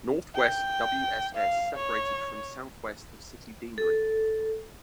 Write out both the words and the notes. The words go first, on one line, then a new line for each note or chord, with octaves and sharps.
North West wss separated from South West of City Deanery.
G5
F5
C#5
A4